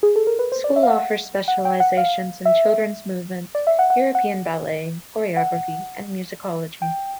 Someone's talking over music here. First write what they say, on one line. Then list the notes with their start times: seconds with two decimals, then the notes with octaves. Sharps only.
The school offers specializations in children's movement, European ballet, choreography, and musicology.
0.03 G#4
0.16 A4
0.27 A#4
0.39 B4
0.52 C5
0.64 D5
0.76 E5
0.83 F5
0.88 F#5
1.48 F#5
1.65 G5
1.80 F#5
1.97 F5
2.45 E5
3.55 D5
3.67 E5
3.79 F#5
3.90 F#5
4.15 F#5
5.37 F#5
6.82 G5